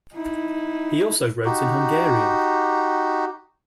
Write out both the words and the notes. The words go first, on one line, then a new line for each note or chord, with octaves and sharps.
He also wrote in Hungarian.
D#4 E4
D#4 F#4 G4